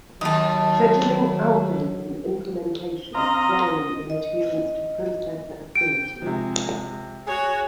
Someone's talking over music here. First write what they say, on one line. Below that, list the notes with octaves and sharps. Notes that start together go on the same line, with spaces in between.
Scheduling-algorithm implementations vary in adherence to processor affinity.
D#2 F#3 D#5 A5
C4 D#5 F5 A#5
D#5
G5 D7
C3 F3 G#3
F#4 G#4 C#5